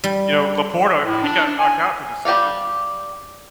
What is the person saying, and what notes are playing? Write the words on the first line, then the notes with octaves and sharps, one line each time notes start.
You know, LaPorta, he got knocked out for the season.
G3
A2
D4
D4
G#5
G3 G4 D5 F5